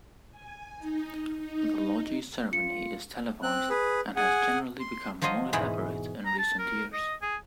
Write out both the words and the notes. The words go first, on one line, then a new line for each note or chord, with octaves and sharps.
The Logies ceremony is televised, and has generally become more elaborate in recent years.
G#5
D#4
D#4
F4 C#7
C4 F#6
G#4 B4
G#4 F#5 G#5
C6
F3 F#3 F4 C5 D#5
E2 G#2 B2 E3 G#3 B5
A#5
A5
A#4
D#5
G#4